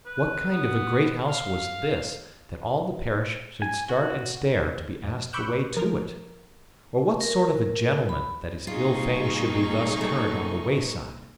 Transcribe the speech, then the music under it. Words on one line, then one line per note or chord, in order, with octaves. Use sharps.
What kind of a great house was this, that all the parish should start and stare to be asked the way to it? or what sort of a gentleman, that his ill-fame should be thus current on the wayside?
B4
B3
F5
G#5
F#4
F2
B5 C#6 D6 E6 F#6 G6
F3 A#4
A#4
B5
C3 G3 A#3 D#4 F4 G#4 C#6
A3